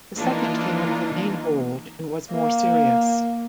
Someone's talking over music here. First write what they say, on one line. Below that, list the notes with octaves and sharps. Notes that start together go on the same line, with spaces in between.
The second came out of the main hold and was more serious.
E3 A#3 D4 D#4 F4
A#3